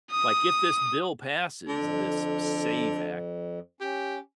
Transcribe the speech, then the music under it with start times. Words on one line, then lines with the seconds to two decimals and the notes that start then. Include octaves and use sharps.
Like, if this bill passes, this SAVE Act,
0.12 D#6
1.68 F2 D3
3.81 C#4 G4